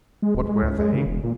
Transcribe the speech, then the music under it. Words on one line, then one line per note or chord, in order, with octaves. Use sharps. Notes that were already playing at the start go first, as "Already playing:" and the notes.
"What were they?"
G#3
D1
G#3
C#2
G#3
C#3
E1
A#2